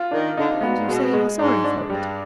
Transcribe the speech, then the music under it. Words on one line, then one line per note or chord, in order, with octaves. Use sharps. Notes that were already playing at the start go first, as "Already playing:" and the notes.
"And you say you are sorry for it."
Already playing: F4
D#3 D4
D3 D#4
C3
B2 B3
G#2
B2 G#3
G#3
G#2 D4
D4
G2 G3